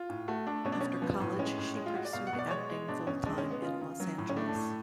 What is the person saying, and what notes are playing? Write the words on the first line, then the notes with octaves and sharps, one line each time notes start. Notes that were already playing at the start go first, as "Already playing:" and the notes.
After college, she pursued acting full-time in Los Angeles.
Already playing: F4
A2
A3 F#4
A3 D4
B2 C#4
D4
B2 C#4
F3 B3
A2
G#3 C#4
A2
G#3
F4
G#3 F#4
D5
B2 F5
F#5
B2
D5
G#3 C#5
G#3
B2 D4
B2 C#4
G#3 D4
C#4
G#3
B3
C#3 F4
C#3
F#3
A2
C#4
A3 D4
D4
A2